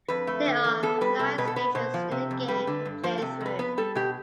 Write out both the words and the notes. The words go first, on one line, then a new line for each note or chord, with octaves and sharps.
There are nine stages in the game to play through.
F2 B4
A3
D3
E2
B3 A4
G3 B4
C3 A4
B2 B4
A4
B3 B4
B2 C5
F3
C3
F2
G3 B4
D3
G2
F3 C5
C3 A4
F2
B4
B3 B4
G3 A4
B2 G4